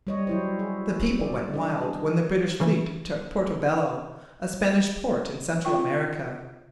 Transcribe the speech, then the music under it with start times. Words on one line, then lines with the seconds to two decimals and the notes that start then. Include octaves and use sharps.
The people went wild when the British fleet took Porto Bello, a Spanish port in Central America.
0.07 G3 C#5 D#5
0.27 F#3 E4 C5
0.59 G#4
1.19 D5
1.54 D4 D#5
1.81 G#4
2.60 C#3 E3
5.65 F4 G5 C#6